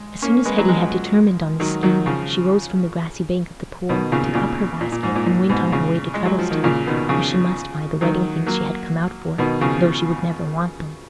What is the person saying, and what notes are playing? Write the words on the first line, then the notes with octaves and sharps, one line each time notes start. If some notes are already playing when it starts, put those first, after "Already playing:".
As soon as Hetty had determined on this scheme, she rose from the grassy bank of the pool, took up her basket, and went on her way to Treddleston, for she must buy the wedding things she had come out for, though she would never want them.
Already playing: G#3
A#3 C#4
G#3 B3
F#3
F3 G#3
D#3 F#3
D#3 F#3
C#3 F3
B2 D#3
A#2 C#3
A#2 C#3
A#2
A#2
G#2
A#2
A#2
G#2 B2
A#2 C#3
G#3
F#3
F3
D#3
A#2 C#3
B2 D#3
C#3 F3
D#3 F#3
F#3 A#3
B2 D#3
C#3 F3